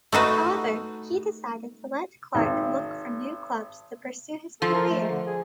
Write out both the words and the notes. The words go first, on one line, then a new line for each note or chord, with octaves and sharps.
However, he decided to let Clark look for new clubs to pursue his career.
A3 D#4 F#4 B4
G#1
F3 A4
A#4
A3
D3
G#4